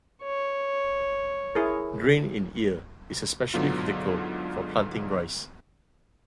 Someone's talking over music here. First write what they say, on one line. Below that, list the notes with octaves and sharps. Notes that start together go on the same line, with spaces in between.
Grain in Ear is especially critical for planting rice.
C#5
E4 G#4 A#4
G#2 B2 D3 F#3 B3 F4